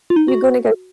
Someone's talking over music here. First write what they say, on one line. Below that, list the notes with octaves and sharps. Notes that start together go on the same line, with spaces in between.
you gonna go"
F4
D#4
F#4